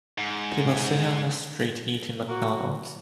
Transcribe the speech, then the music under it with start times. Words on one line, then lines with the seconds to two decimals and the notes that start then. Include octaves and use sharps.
People sitting on the street eating McDonalds.
0.18 G#2
2.28 A#3 F#4